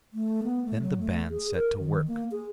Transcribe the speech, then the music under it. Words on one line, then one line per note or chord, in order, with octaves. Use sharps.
Then the band set to work.
A3
B3
A3
F#3
A3
G#4
A#4
D#3
A#3
G#4